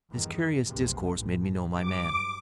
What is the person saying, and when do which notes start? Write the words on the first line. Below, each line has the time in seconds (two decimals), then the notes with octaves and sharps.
This curious discourse made me know my man.
0.11 E2 G2 D#3
0.65 F1 B1 C3
1.15 A1
1.74 G2 F#3 D6